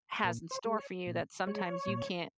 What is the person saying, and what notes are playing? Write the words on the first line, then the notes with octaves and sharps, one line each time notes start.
has in store for you that sometimes you can't
A#2 A#4
C5
G#3
C#5
A#2
G#3 C#5
A#2